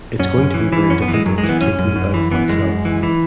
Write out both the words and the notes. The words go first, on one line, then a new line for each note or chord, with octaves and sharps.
It's going to be very difficult to take me out of my club ...
F#2 C#4
F#2
E3
E3
F#2 C#4
B3
E3
G#3
F#2 F#3
G#3
E3
B3
F#2 C#4
F#2
F#2
E3
E3 B3
F#2 G#3
F#2
E3
E3